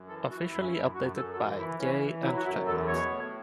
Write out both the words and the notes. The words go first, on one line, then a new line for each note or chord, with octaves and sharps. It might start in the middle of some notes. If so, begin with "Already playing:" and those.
Officially updated by J Entertainment.
Already playing: F#2
E3 A4
E3 F#4
F#2 E4
C#4
F#2 E4
F#2 F#4
F#2 A4
A4
E3 F#4
E3 E4
E3 C#4
E3
F#3 E4
F#4
F#2 E4
E2 A4
B2 C#5
A2